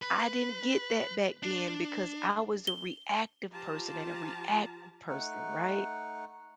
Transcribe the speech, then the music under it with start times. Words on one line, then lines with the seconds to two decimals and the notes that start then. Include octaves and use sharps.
I didn't get that back then because I was a reactive person and a reactive person, right?
0.02 B4
1.43 D4
2.67 G7
3.50 F3 F4 G4 A5 A#5
5.08 A3 D#4 F#5